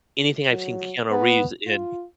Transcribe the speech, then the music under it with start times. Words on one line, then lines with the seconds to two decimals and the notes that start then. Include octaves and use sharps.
anything I've seen Keanu Reeves in
0.51 F#3
1.11 B3
1.67 F4